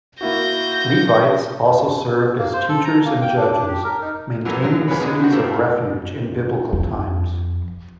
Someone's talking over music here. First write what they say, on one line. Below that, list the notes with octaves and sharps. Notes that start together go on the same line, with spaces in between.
Levites also served as teachers and judges, maintaining cities of refuge in Biblical times.
A#3 E4 F#4 G6 A#6
A#3
C5
A4
A#5
A#3
G5
D4
D4
G4
A#4
D#4
E3 F#3 A3 A#3
F#2 F#3
F2 G#3 A#3 B4 C#5 B5
B2 D3
D#3 F#4
C#3 A3 A#3 C4
F2